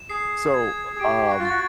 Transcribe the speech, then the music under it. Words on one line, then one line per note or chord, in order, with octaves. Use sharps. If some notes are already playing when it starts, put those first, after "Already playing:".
So, uh, um,
Already playing: E7
G#4 C7
G#6
G#4
G4 D7
F#4
F4
F#4 A6